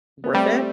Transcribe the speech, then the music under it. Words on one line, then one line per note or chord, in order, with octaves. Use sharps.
worth it?
B3
G3 A3 C4